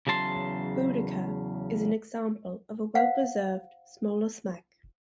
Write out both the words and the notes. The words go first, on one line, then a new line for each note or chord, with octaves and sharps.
"Boadicea" is an example of a well-preserved smaller smack.
E2 C#3 F#3 A5 C6
C5 F5 F#5